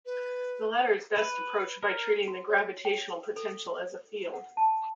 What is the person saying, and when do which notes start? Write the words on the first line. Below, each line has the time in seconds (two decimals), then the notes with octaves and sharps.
The latter is best approached by treating the gravitational potential as a field.
0.06 B4
1.17 B4
1.83 A#4
2.28 F#4
2.49 C#5
2.85 G5
3.36 A4
4.33 F#5
4.57 A5